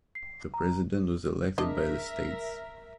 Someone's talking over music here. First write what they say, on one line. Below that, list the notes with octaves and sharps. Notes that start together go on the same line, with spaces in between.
The president was elected by the states.
C7
A#5
G#3 D4 A#4 D#5 E5